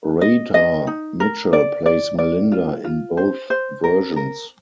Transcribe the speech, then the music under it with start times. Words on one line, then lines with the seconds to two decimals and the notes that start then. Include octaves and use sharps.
Radha Mitchell plays Melinda in both versions.
0.21 D#5
0.54 D#5
0.87 D#4
1.20 A#4
1.53 D5
1.86 D5
2.19 D5
2.52 F4
2.84 F4
3.17 C5
3.50 C5
3.84 A#4
4.16 A#4